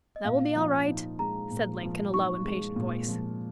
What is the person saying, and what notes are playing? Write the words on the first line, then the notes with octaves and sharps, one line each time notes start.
"That will be all right," said Link in a low, impatient voice.
D#5
A#2 F5
F3
D#4
G#3 A#5
A#2
F3
D#4 C#6
G#3
A#2
F3